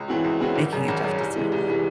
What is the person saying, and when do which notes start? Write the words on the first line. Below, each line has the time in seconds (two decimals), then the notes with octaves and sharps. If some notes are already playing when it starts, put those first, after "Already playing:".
making a tough decision?
Already playing: C#2
0.08 C#3 E3 C4 F#4
0.24 C#2
0.40 C#3 E3 C4 F#4
0.56 G#1
0.73 F#2 C#3
0.88 G#1
1.04 F#2 C#3
1.20 C2
1.36 C3 E3 G#3
1.52 C2
1.67 C3 E3 G#3